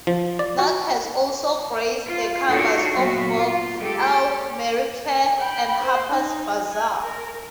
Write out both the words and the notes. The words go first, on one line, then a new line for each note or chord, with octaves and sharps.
North has also graced the covers of Vogue, Elle, Marie Claire, and Harper's Bazaar.
F3
D5
F#4
F4
D4 D#4 F#4 A4 A#4 C#5
A#2 F#3 B3 F#4 E5 F5
F4
G#3 G4 A4
G5 B5
C5
D#4
G#5
A#4